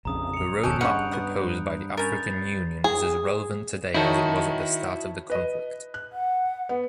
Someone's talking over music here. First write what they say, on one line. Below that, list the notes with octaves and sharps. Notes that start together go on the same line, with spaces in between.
The roadmap proposed by the African Union is as relevant today as it was at the start of the conflict.
A#1 F2 C#3 A#5 D#6
C#7 F7
F#1 D#2 C#4 A4 F#6 G6 D7
G2 G#3 C#4 F#5 B5
B3 F#5
C#4 A#4 B5 G6 A6
G#4
D#3 D#4 E4 F#4 C#5 A5
B4 D#5
F#6
F#5
B3